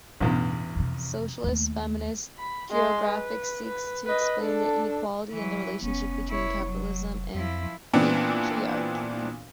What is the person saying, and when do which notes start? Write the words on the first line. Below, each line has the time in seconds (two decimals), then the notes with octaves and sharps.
Socialist feminist geography seeks to explain inequality and the relationship between capitalism and patriarchy.
0.21 A1 E2 G2 B2
0.76 F2 C3
1.44 D#2 A3
2.38 B5
2.71 G#3 C6
3.08 B4
3.66 B4
4.06 B4 D#5
4.39 D4 A4
5.32 E3 F#3
5.83 F1 B3 C#4
6.29 E4 C#5
6.64 F#3
7.35 F2 F3 E4
7.93 A#2 E3 B3 C4 D4